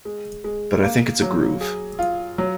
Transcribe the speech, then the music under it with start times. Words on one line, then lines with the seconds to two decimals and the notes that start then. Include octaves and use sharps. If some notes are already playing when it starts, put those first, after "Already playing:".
But I think it's a groove.
0.05 G#3
0.44 G#3
0.83 A#3
1.22 F#3
1.61 G#4
1.99 F4
2.38 F#3